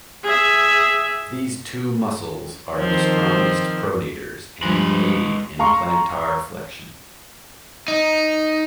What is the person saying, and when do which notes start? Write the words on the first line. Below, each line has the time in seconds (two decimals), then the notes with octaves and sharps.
These two muscles are the strongest pronators and aid in plantar flexion.
0.24 G#4 E5
2.77 D#3 F3 C4
4.63 G2 F3 G#3 B4
5.59 F5 A#5 C6 C#6
7.88 D#4